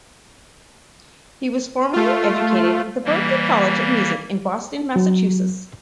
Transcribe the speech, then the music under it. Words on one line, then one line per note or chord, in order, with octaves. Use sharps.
He was formally educated at the Berklee College of Music in Boston, Massachusetts.
A3 F4
E3 G3 A#3
F#3